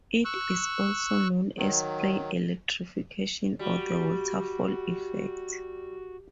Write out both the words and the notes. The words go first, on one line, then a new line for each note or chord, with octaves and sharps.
It is also known as spray electrification or the waterfall effect.
C#6 E6 F#6
D#3 F#3
G3 F#4